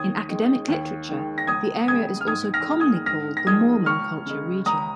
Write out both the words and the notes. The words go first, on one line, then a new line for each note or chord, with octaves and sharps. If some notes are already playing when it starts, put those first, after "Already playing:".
In academic literature, the area is also commonly called the Mormon culture region.
Already playing: D#2 D#6 G#6
D#3 G#3
D#2
D#3 G#3
A#6
C#2 D#6 G#6
C#3 G#3 D#6 G#6
F6
G#2 D#6 G#6
F6 A#6
G#3
D#6 G#6
G#2 F6 A#6
A#6
F3 G#3 D#6 G#6
C#2 C#6 F6
C#3 G#3
C#2 A#5 D#6